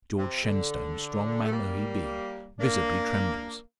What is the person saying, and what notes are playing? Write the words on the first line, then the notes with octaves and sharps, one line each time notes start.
George Shenstone, strong man though he be, visibly trembles.
C3
D3
A3
G3 A#3
A#3 D4